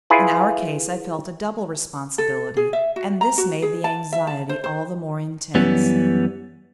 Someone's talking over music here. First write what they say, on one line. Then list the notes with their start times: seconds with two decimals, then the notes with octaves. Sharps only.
In our case I felt a double responsibility, and this made the anxiety all the more intense.
0.10 E4 F4 G#4 B4
2.18 A4
2.57 G#4
2.73 E5
2.96 F#4
3.21 A#5
3.38 F#4
3.62 G#4
3.84 A5
4.13 E5
4.27 A5
4.49 C5
4.64 C5
5.55 F#2 E3 G3 B3 C#4